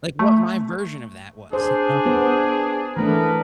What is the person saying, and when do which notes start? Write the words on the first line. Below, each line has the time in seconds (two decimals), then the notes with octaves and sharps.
Like, what my version of that was, you know?
0.19 A3
1.53 D4 G#4 C5
2.05 B3 C5
2.97 E3 A3 B3 D4 A#4 B4